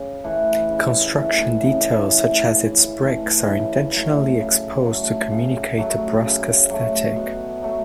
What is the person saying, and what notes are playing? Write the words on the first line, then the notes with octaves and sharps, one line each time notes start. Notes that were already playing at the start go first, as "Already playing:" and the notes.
Construction details such as its bricks are intentionally exposed to communicate a brusk aesthetic.
Already playing: C#3
E3 A3
C#3
E3 A3
C#3
E3 A3
C#3
E3 A3
C#3
F#3 A3
C#3
F#3 A3
C#3
F#3 A3
C#3
F#3 A3
B2
F#3 A3